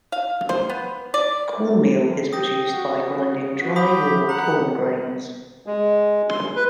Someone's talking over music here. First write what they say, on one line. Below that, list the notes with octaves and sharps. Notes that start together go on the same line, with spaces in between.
Cornmeal is produced by grinding dry raw corn grains.
F5
C5
B3
D5
G4 D#6 A#6
F#4
F#4
G4 B5 D#6 B6
F#5 A#5
G#3
C6
B4